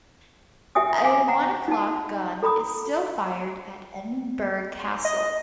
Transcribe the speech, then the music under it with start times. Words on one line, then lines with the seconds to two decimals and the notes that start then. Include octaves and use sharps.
A One O'Clock Gun is still fired at Edinburgh Castle.
0.75 G4 E5 G5 G#5 D#6
1.04 F5 G#5 D6
1.28 F#5 G5 A#5
1.68 D#4 A5
2.43 A4 A#5 B5 D#6
5.05 D#5